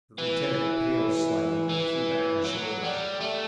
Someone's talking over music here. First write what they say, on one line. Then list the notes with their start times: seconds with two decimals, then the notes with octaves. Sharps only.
The lieutenant paled slightly, but threw back his shoulders.
0.18 E3
1.70 E3
2.45 F#3
2.83 G3
3.21 A3